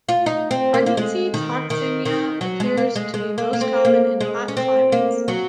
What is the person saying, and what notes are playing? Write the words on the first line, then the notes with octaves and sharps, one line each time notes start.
Pregnancy toxemia appears to be most common in hot climates.
F4
D#4
C4
A#3
A#3
G#3
D#3
D#3
D#3
F#3
G#3
A#3
G#3
G#3
A#3
A#3
C4
A#3
G#3
C#4
C4
A#3
F#3